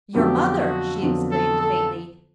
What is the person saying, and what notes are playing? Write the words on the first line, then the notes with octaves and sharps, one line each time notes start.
"Your mother!" she exclaimed faintly.
F2 D3 F#3 B3 G4
F#4
F2 D3 F#3 B3
A4
A4